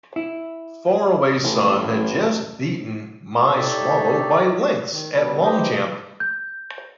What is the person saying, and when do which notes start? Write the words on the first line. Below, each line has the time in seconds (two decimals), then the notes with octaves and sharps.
Faraway Son had just beaten My Swallow by lengths at Longchamp.
0.16 E4
1.43 A1
3.54 D#4 G4 A4 C#5 D5 E5
4.91 D#3
5.12 B2 G3 B4
5.43 D#4 G4 G#4 B4 C5 D#5
6.20 G6